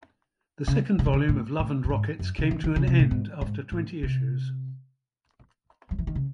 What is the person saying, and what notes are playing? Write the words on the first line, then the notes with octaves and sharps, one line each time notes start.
The second volume of "Love and Rockets" came to an end after twenty issues.
C#3
C#3
C3
C#3
A2
A2
F#2
G#2
F#2
C#3
D#3
D#3
C#3
C3
A2
G#2
G#2
A2
C3
F#3
E3
D#3
C#3